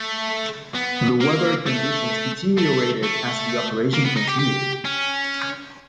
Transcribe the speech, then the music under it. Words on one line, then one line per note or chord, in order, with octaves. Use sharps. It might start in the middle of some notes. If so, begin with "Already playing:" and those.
The weather conditions deteriorated as the operation continued.
Already playing: A3
B3
A#3
A3
A3
A3
A#3
B3
D#4
G4
G4
C#4